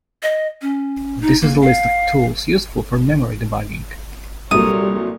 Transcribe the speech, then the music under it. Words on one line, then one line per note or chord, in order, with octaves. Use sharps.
This is a list of tools useful for memory debugging.
D#5
C#4
D#4
A#3
F5
C2 A#2 F#3 G3 A4 A#4 C#5 D#6